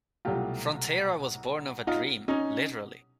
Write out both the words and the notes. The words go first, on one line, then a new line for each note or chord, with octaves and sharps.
Fronteira was born of a dream, literally.
C2 B2 F#3 A3 F4 G4
D#4 F4
C#4 D#4